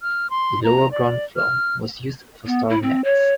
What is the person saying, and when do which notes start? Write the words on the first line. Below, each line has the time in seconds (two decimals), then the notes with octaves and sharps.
The lower ground floor was used for storing nets.
0.01 F6
0.30 C6
0.64 A#5
0.92 D5
1.37 F6
2.46 B3
2.70 E4
2.83 C4
3.04 C#5